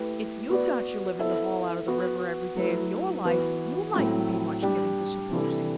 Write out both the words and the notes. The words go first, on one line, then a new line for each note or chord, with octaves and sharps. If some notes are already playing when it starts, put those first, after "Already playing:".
If you'd got your living to haul out of the river every day of your life, you mightn't be much given to supposing.
Already playing: A3 E4 G4 B4
B3 F#4 B4 D5
B3 E4 A4 C5 E5
B3 F#4 B4
F#3 A3 E4 B4
E3 B3 F#4 B4
A2 F#3 A3 C4 E4
G3 D4 G4 D5
C3 E3 G3 D4 A4